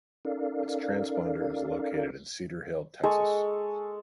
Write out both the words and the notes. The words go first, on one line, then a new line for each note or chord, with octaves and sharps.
Its transponder is located in Cedar Hill, Texas.
C#4 D#4 A4 A#4 D5 F5
G#3 A4 C#6